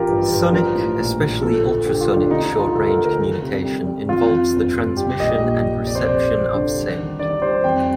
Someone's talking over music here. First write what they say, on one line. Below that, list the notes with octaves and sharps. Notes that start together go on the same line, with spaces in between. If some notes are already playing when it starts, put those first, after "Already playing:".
Sonic, especially ultrasonic short range communication involves the transmission and reception of sound.
Already playing: A1 F3 F4 G4 A#4
G2
G2
F3 A#4
A2
A#1
A#1
F3 A4
D2
D3 G4
F4
D2
D4
D2 D#4
D#4
D3
F4
D2 A4
A#4
D2
A#4
D#3
C3
G3
G3
F2 F4
F2
G1
G1
G3 G4
A#1 D#5
A#2
A#1
F1 D5
C5
F1 D5
F1
D3
G3
D#3
D#3 D5
G3 C5
F2 G5